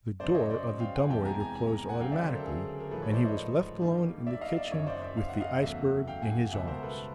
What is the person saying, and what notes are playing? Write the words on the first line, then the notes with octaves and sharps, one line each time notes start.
The door of the dumb-waiter closed automatically, and he was left alone in the kitchen with the iceberg in his arms.
F#2 C#3 F#3 C5 D5
C#5 D#5
C5 D5
F5 G5
F#5 G#5
E2 C3 E3 G#3 G5 A5
G#5 A#5
G#5 A#5
G#5 A#5
G#5 A#5
F#5 G#5
D2 C#3 F#3 F5 G5
D5 E5
A#4 C5
A4
G#4 A#4
A#4
A1 G#2 F3 A3 A4 B4
B4 C#5
C5 D5
C#5 D#5
G2 D#3 G3 A#3
D5 E5
D#5 F5
D5 E5
F#1 F#2 D#3 C#5 D#5
C5 D5
D5 E5
F5
F#5
D#5 F5
E2 C#3 F#3 A3 E5 F#5
F5 G5
F#5 G#5
C#2 B2 G3 E5 F#5
A#4 C5
A4 B4